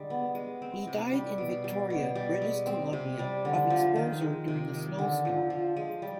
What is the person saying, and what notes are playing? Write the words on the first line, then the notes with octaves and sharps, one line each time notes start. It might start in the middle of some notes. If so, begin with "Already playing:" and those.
He died in Victoria, British Columbia of exposure during a snowstorm.
Already playing: D3 G3 G#3
B3
G#3
C4
C3
G3
B2
G3
B2
G3
G#3
C4
C3
G3
D3
F3
D#3
G#3
C3
D#3
D3
F3
F3
G#3
G3